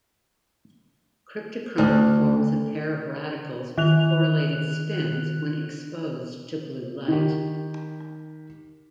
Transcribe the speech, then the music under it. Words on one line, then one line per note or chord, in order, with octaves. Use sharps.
Cryptochrome forms a pair of radicals with correlated spins when exposed to blue light.
D2
D#3 F#6 F7
D#3 G4